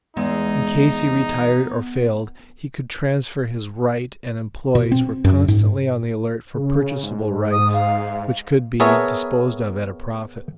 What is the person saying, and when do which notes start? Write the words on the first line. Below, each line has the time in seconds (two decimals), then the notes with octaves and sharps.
In case he retired or failed, he could transfer his 'right,' and employees were constantly on the alert for purchasable rights, which could be disposed of at a profit.
0.17 E2 G#3 B3 D#4
4.75 B2
4.92 C4
5.24 F#2
5.48 G#2
6.55 C#3
7.03 G#2
7.52 D#6
7.74 F5
8.80 B3 G#4 A#4 C#5 E5 A5